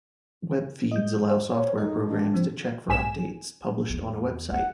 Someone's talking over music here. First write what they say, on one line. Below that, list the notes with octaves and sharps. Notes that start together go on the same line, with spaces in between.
Web feeds allow software programs to check for updates published on a website.
D#5 G6
C5
C#5
D#4 A4 D#5
D4
C#3 F3 C4
B1 G#2 G#5 B6 E7
E2 B3
C4 F#5